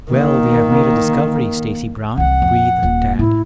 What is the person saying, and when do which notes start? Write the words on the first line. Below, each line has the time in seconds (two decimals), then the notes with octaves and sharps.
"Well, we have made a discovery, Stacy Brown!" breathed Tad.
0.11 D#3 A#3
2.17 C2 E3 F#5
2.42 F2
2.82 D#1 F4
3.19 A2 E4